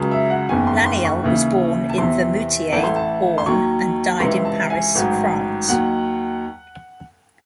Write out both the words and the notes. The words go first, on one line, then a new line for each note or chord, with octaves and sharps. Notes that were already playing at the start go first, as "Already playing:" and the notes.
Laniel was born in Vimoutiers, Orne, and died in Paris, France.
Already playing: C#2 C#3 F#3
E5
F#5
F#1 E2 D#3 G#5
C6
C6
C#6
D#2 C#3 E3
A5
E2 C3 E3 C6
A1 A2 E3 A5
C6
A5
C6
D#2 D#3 F#3 C#6
C#2 C3 E3 C6
A5
G#5
A1 G#2 D#3 F#3
D#2 D#3 F#3 F#5